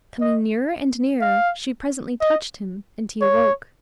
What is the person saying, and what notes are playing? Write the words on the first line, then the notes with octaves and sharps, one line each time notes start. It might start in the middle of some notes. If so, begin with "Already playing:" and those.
Coming nearer and nearer she presently touched him and he awoke.
D#5
F5
D#5
C#5